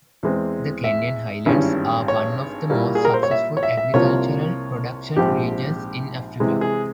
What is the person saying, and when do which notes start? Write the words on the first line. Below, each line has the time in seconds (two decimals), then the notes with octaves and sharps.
The Kenyan Highlands are one of the most successful agricultural production regions in Africa.
0.23 E2 E3 G#3 C4
0.84 E5
1.46 G#1 G2 E3 G3 C#4
2.08 C#5
2.70 A#2 G3 A#3 E4
2.95 G#4
3.05 A#4
3.14 C5
3.23 C#5
3.31 E5
3.57 C#5
3.63 E5
3.77 E5
3.94 C2 C3 F3 A#3 F4 C#5
5.17 A#1 G#2 F3 C4 G4
6.40 C3 E3 G#3
6.61 G#4